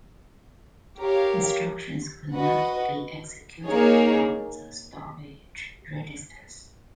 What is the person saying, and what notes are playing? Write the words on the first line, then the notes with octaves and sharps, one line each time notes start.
Instructions could not be executed from the storage registers.
G4 A#4 C#5 F5
F#4 B4 D#5 F#5
A#3 D#4 G#4 C#5